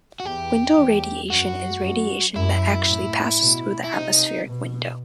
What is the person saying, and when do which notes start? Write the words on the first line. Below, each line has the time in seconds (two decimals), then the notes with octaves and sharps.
Window radiation is radiation that actually passes through the atmospheric window.
0.20 F#4
0.25 E2 G4
0.77 E2
1.30 F#2 F#4
1.83 F#2
2.36 F#2 E4
2.88 A2
3.41 B2
3.84 E4
3.93 C3 D#4
4.46 B2